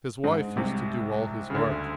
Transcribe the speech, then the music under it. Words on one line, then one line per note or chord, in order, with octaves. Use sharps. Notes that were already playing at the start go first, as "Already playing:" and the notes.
His wife used to do all his work.
G#2
C2 C3
C#3
D2 D3